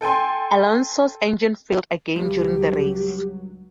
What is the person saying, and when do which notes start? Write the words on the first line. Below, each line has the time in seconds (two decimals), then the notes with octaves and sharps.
Alonso's engine failed again during the race.
0.01 A4 G5 G#5 C6
2.16 C#2 G2 F#3 G4